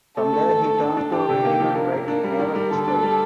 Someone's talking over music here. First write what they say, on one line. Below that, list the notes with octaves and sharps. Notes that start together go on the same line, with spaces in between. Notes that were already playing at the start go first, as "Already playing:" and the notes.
From there he turned to reading and writing naval history.
A3 A4
A3
A3
A3
D4
D4
D4 G4
C3
A#3
F3
D4 A#4
A#3
D4
G3
D#3
G3
D3 A4
D4
G3